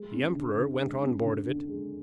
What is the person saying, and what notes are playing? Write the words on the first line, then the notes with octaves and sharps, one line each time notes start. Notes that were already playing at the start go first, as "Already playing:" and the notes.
The emperor went on board of it.
Already playing: G#3
C#4
D3
D3
G#3
C#4
D3
D3
G#3